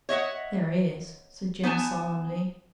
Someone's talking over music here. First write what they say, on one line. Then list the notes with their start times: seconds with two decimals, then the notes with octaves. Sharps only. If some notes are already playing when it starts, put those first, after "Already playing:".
"There is," said Jim solemnly.
0.09 C#5 D#5 E5 F#5
1.63 B3 D#4 G#5 A5